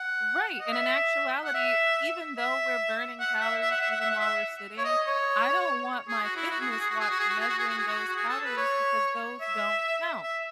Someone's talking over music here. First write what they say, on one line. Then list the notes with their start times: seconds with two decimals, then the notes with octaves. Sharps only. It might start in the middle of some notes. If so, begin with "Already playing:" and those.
Right. And in actuality, even though we're burning calories even while we're sitting, I don't want my fitness watch measuring those calories because those don't count.
Already playing: F#5
0.60 D#5
0.72 E5
1.45 F#5
1.54 E5
2.37 E5
3.20 F#5
3.41 E5
3.61 E5
3.71 F#5
3.81 E5
3.91 F#5
4.01 E5
4.11 F#5
4.19 E5
4.78 C#5
4.85 D#5
5.06 C#5
6.09 G#4
6.23 F#4
6.36 E4
6.50 F#4
6.61 G#4
6.71 F#4
6.80 G#4
6.90 F#4
7.00 G#4
7.10 F#4
7.19 G#4
7.29 F#4
7.40 G#4
7.49 F#4
7.59 G#4
7.69 F#4
7.78 G#4
7.88 F#4
8.09 F#4
8.16 G#4
8.29 A4
8.44 B4
8.57 C#5
9.41 E5
10.23 E5